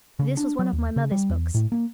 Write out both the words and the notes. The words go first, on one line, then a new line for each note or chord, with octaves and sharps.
This was one of my mother's books.
C#3
D4
F#3
D#2
C#3
G3
E2
A2
A#3